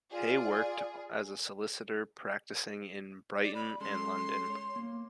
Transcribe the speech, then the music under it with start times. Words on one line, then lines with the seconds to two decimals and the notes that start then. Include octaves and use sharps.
Hay worked as a solicitor practicing in Brighton and London.
0.11 F4 G#4 D5
3.42 D5
3.55 B5
3.81 G#3 C#4 A4 C6
4.50 C#5
4.76 A#3